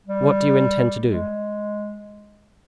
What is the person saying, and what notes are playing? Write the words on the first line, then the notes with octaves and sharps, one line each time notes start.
What do you intend to do?
G3
G#3